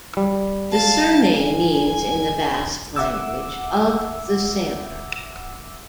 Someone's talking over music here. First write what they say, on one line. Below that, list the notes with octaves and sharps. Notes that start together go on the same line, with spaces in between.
The surname means in the Basque language "...of the sailor".
G3
F5 A5
G#5
E5 F#5 D6 E6